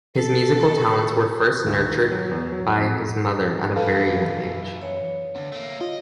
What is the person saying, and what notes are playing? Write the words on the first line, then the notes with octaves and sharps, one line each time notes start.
His musical talents were first nurtured by his mother at a very young age.
A4
D2
D#3
F#3
E2
F#3
F2
F#2 E3 A4 B4 F5
C#5
D2
A3 A#3
F4 D#5